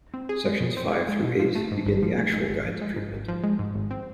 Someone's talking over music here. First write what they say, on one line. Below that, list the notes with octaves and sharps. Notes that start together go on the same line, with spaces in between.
Sections Five through Eight begin the actual guide to treatment.
C4
G#4
G#3
B2
C4
G#4
G#3
B2
F3
A3
G#2
G#1
F3
A3
G#2
G#1
F3
G#3
G#2
G#1
F3
G#3
G#2
G#1
C4